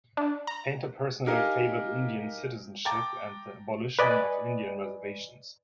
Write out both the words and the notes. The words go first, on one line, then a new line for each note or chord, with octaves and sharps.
Painter personally favored Indian citizenship and the abolition of Indian reservations.
D4
A#5
D#4 G4 A#4 F5 G#5
G5 A5 A#5 D6 A6
B4 D5 D#5 G#5